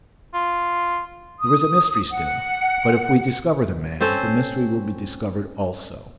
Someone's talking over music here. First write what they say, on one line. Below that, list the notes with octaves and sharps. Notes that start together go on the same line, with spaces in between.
There is a mystery still, but if we discover the man, the mystery will be discovered also.
F4
D#6
F#5
C4 C#4 A4 C5